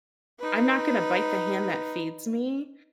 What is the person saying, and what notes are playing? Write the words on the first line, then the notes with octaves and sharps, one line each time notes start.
I'm not gonna bite the hand that feeds me.
D#4 B4